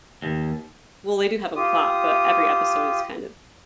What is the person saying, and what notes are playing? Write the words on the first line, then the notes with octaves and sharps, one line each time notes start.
Well, they do have a plot, but every episode is kind of
D#2
F4 G4 D#6